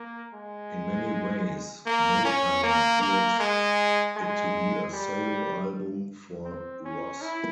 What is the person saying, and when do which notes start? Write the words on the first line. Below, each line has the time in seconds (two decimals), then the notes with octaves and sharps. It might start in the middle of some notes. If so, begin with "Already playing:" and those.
In many ways, Motown geared it to be a solo album for Ross.
Already playing: A#3
0.34 G#3
1.86 A#3
2.25 C#4
2.63 A#3
3.01 A#3
3.40 G#3
4.16 G#3
4.93 G3
6.45 C4
6.85 C#4
7.22 E4